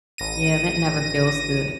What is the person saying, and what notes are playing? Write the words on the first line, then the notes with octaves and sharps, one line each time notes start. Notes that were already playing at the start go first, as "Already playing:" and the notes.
Yeah, that never feels good.
A1 A#6 D#7